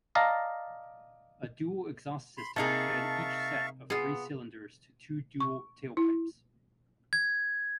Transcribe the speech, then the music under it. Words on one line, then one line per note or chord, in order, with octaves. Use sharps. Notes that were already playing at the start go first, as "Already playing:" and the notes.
A dual exhaust system fed each set of three cylinders to two dual tailpipes.
D5 D#5 F5 A5 A#5
B5 C6
C3 A#3 D#4 G#4 E5 F5 A5 C#6
B3 F4 G#4
C#6
E4
G#6